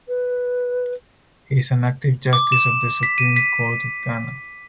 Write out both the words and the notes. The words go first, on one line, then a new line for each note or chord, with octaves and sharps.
He is an active justice of the Supreme Court of Ghana.
B4
D6
E7
B6
D#7
B6